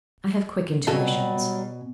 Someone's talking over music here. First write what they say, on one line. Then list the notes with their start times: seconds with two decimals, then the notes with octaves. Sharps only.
I have quick intuitions.
0.87 B2 F#3 G3 F4 F#4 A4 G#5